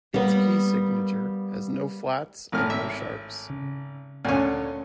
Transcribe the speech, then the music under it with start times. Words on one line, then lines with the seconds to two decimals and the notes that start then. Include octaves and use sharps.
Its key signature has no flats and no sharps.
0.14 G3 A#3 B3
2.52 G#1 A2 F6
2.70 E5
3.50 C#3
4.25 D2 A#2 D3 C#4